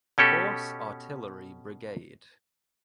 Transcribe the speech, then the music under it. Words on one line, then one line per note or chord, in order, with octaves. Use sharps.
Horse Artillery Brigade.
B2 C#4 G4 A4